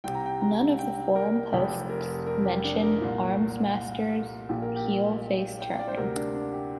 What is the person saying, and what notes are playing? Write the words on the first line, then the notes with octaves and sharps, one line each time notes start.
None of the forum posts mention Armsmaster’s heel-face turn.
C2 C3 G5
A#5
G5
A#5
G5
A#4
F1 F2 C3 G4
A#4
A#4
G4
D4
A#4
C2 A#2
A#1 A#2 G4
A#4
G4
G5
F5
D5
C5
D2 C3 A#4
D4
D4
G4